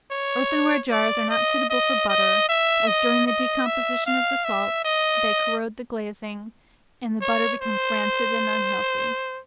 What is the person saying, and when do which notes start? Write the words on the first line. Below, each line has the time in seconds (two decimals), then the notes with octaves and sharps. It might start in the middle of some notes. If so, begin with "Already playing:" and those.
Earthen-ware jars are not suitable for butter, as during the decomposition of the salts, they corrode the glazing; and the butter becomes rancid and unhealthy.
0.11 C#5
0.91 D5
1.30 D#5
1.70 D#5
2.09 D#5
2.49 E5
2.88 D#5
3.27 D#5
3.66 E5
4.06 F5
4.45 E5
4.85 D#5
7.21 C#5
7.62 C5